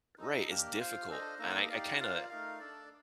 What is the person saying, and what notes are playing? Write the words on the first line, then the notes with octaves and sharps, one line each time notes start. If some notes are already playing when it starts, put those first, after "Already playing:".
Right, it's difficult, and I I kinda
D#4 A4 D#5
A#3 D4 G4 A#4
F4 C5 F5
D4 A4 C5 D#5
A#3 D#4 A4 D#5
D#4 G4 D5 F5
F4 A#4 D5 F5
A3 D#4 A#4 F5
D4 A4 D5